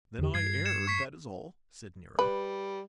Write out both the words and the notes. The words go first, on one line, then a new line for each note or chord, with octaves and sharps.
"Then I erred, that is all," said Nero.
E2 D3 G4
G2 G#6 C7
G#6 C#7 E7
C#6 B6 C7
G3 B4